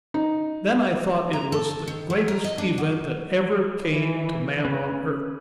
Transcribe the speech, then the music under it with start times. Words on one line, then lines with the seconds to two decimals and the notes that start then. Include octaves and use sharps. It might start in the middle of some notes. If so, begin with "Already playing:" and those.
Then I thought it was the greatest event that ever came to man on earth.
0.14 D#4
1.33 A#5
1.52 A4
1.87 D#3
2.10 F#3
2.28 A#4
2.44 D#5
2.58 D4
2.78 F#3
3.82 E3
4.65 C#4 B4